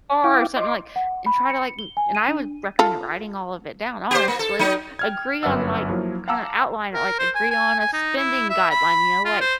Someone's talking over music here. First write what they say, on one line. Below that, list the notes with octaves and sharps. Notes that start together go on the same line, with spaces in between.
bar or something, like and try to, like m and, I would recommend writing all of it down, honestly. Agree on, like kinda outline it, like, agree on a spending guideline, you know, like,
E4 F5 G5 D6
D#5 C6 D6
F#5
B5
C#7
G7
G#5
D#7
D4
F4 A4
G4 C5
A#3
A4
F#3 D#4
G5 F6 G#6
G1 F#2 B4 E5 F#5 E6
F3 F#3 A#3 E4
F5 F#5 A5 A#5 D6 E6
A#4
C5
G#5
G#5
G#5
D#4
E4
E5
B5
F4
C5